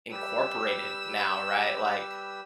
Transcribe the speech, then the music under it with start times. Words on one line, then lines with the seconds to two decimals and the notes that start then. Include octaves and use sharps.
incorporated now, right? Like,
0.12 G3 G4 B4 E6